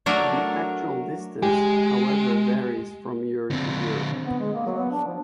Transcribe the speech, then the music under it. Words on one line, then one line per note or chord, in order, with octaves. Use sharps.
The actual distance however varies from year to year.
F#3 A3 D4 A#4 A#5
G#3 G4 G#5
D3 C4
B3
G#3
A#3
F#3
B3
D4
F3